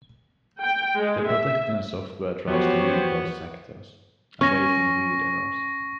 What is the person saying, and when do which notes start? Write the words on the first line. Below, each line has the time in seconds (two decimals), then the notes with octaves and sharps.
The protection software tries to read those sectors, awaiting read-errors.
0.61 G5
0.98 G#3
1.28 E5
2.48 E2 F3 B3 F#4 G4 C5 C#5
4.41 C#4 C#6 A#6